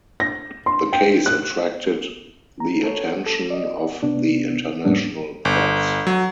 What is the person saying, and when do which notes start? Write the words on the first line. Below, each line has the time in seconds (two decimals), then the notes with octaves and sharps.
The case attracted the attention of the international press.
0.20 A#6
0.66 C6
0.93 G5
1.26 F#6
2.60 A#5
2.84 A4 C#5
3.26 A4
3.50 D5 D#5
4.03 C3 B3 D4
4.85 F2 A2 G3 A#3 C#4 D4
5.45 G1
6.07 F#3